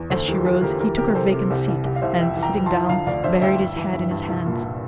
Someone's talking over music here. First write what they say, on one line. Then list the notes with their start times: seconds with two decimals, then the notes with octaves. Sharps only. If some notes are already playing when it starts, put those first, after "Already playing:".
As she rose he took her vacant seat, and, sitting down, buried his head in his hands.
Already playing: E2
0.10 D2 A4 C5
0.28 E3 G4 A#4
0.45 E3 F4 A4
0.62 D2 G4 A#4
0.80 E3 G4 A#4
0.97 C3 G4 A#4
1.14 C3 A4 C5
1.32 C3 G4
1.50 C2 G4
1.67 C2 G4
1.84 C2 G4
1.96 F5
2.02 C2 C5 E5
2.19 F2 E5 G5
2.37 E3
2.43 G5 A#5
2.54 F2
2.66 A5 C6
2.72 F2
2.89 D3 F5 A5
3.07 D2 D5 F5
3.24 D3 C5 E5
3.41 D2 E5 G5
3.59 G2
3.76 E3
3.94 G2
4.11 G2
4.29 C2
4.46 A#2
4.63 A#2